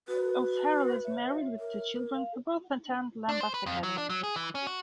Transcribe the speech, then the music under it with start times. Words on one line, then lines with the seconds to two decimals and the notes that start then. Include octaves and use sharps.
O'Farrell is married with two children, who both attended Lambeth Academy.
0.08 F#4 B4
1.05 C#5 E5
1.60 A#4
2.14 F5
3.29 D4
3.41 C5
3.54 B4
3.66 F2
3.83 F#3
3.98 D4
4.10 F#3
4.24 G#4
4.36 E3
4.55 C#4
4.67 F#4